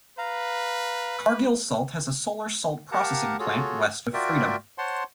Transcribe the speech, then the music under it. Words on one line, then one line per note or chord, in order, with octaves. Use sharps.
Cargill Salt has a solar salt processing plant west of Freedom.
B4 F5 A#5
G4 A#4 F5 F#5 A5 A#5
F4 F#4 G#4 A4 C#5
F4 F#4 A#4 D5 E5 G5
C5 C#5 F#5 A5 C6